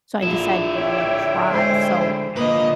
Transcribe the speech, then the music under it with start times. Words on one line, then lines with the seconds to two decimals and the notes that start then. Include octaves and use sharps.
So I decided to give 'em another try, so
0.22 A#1 D3 E4
0.75 C#5 E5 G5
1.49 G#3 C5
2.36 D2 A#2 A#3 B4 D#5 A#5 B5 D#6